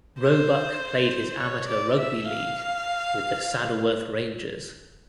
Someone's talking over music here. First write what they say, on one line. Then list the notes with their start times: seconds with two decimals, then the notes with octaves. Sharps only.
Roebuck played his amateur rugby league with the Saddleworth Rangers.
0.21 C5
1.39 C#5
1.68 D5
1.99 E5
2.28 F5